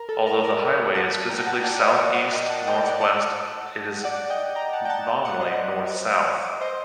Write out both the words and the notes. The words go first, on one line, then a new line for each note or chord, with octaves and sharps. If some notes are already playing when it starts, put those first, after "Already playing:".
Although the highway is physically southeast-northwest, it is nominally north-south.
Already playing: A#4
A4
A#4
A#4 D5
F#5 A5
G5 A#5
F#5 A5
D5 F#5
C5 D#5
A#4 D5
D5 F#5
D#5 G5
F#5 A5
D#5 G5
D5 F#5
F#5 A5
D5 F#5
D#5 G5
G5 A#5
F#5 A5
G5
F#5 A5
D5 F#5
C5 D#5
C5 D#5